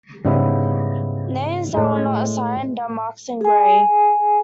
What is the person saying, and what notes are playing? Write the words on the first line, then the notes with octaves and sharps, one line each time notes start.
Names that were not assigned are marked in gray.
G#2 C#3 G3 B3 E4
A2 G#3
G#4 G#5